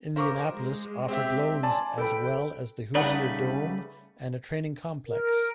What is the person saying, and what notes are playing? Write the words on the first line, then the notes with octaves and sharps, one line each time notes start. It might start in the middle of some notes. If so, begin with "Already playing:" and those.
Indianapolis offered loans as well as the Hoosier Dome and a training complex.
A#4 C5 F5 C#6 D6
G#3
C4 G4 E5
D5 G#5 A5 C6
A4 B4 G5 B5
C#3 G3 A3 D#4 B4 D5 F#5
A#4